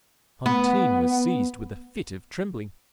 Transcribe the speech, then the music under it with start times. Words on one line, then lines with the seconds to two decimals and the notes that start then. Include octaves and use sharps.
Fantine was seized with a fit of trembling.
0.46 B3